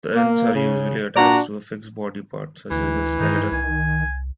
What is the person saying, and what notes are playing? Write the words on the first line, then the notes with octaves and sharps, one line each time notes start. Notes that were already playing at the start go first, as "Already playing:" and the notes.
The ends are usually attached to a fixed body part such as the skeleton.
A#3
C#3
A#2 D4 F#4 D5 A#5
D2 E3
G2 D#3 D#4
C2 G#5